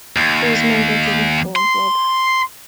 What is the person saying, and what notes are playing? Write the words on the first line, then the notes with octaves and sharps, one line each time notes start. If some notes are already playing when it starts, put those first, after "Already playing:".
He was a member of the Reform Club.
D#2
C6